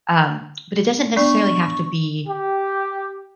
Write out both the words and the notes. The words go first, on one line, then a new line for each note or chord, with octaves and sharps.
um, but, it doesn't necessarily have to be,
B3 D4 D5 C#6
G4